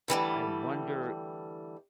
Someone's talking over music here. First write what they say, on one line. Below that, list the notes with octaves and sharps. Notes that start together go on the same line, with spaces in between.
I wonder
D3 E3 G3 A3